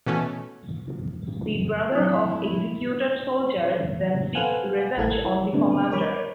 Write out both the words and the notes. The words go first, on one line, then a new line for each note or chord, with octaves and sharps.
The brother of executed soldier then seeks revenge on the commander.
B2 E3 A3 C#4
F#3 C4 E4
A4 B4 C5 F5 F#5 G#5
A1 E4 A4 A#4 G#6
E4
D3 A3 B3 C4 D4
A#4 C#5 B5 D6